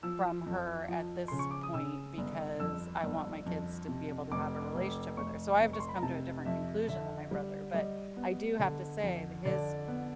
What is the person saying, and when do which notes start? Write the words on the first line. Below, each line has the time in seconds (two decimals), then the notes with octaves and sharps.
from her at this point because I want my kids to be able to have a relationship with her." So I've just come to a different conclusion than my brother, but I do have to say that his
0.03 F3 E6
0.46 F2
0.89 F3
1.28 C#3 C6
1.39 C#6
1.51 D6
1.63 D#6
1.74 C#3 E6
2.18 G1
2.60 F2 E6
3.03 G1
3.46 F2
3.88 C3
4.31 F1 D6
4.75 F1
5.17 F1 C#6
5.60 F1
5.73 C#6
5.80 C6
5.89 B5
5.96 A#5
6.03 C3 A5
6.45 F2 E5
6.88 D3 E5
7.31 G3
7.74 G3 D#5
8.17 B3
8.59 D3
9.02 F2
9.45 D3 D5
9.88 B3